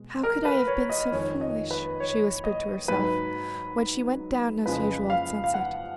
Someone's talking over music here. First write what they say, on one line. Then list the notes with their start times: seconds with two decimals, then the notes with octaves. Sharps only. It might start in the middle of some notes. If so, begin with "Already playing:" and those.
'How could I have been so foolish,' she whispered to herself, when she went down as usual at sunset.
Already playing: B2 G#3
0.23 A#4
0.45 B4
0.67 C#5
0.90 D#5
1.12 F2 D#3 G#3 C#5
1.41 D#5
1.71 B4
2.00 C#5
2.44 D#5
2.88 G#2 F#3 B4
4.66 F2 C#3 F3 G#3 B4
5.10 F5
5.44 F5
5.54 F#5